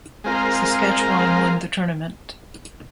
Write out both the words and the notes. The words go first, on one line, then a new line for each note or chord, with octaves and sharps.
Saskatchewan won the tournament.
G#3 C4 F4 A#4